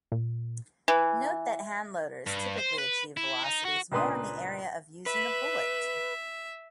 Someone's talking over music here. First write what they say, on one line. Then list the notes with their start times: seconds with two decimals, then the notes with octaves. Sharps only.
Note that handloaders typically achieve velocities more in the area of using a bullet.
0.12 A#2
0.88 E3
2.26 G2
2.58 C5
2.78 B4
3.17 E4
3.43 D#4
3.65 F#4
3.92 C#2 A#2 D4 B4 C6 D#6
5.06 B4 E5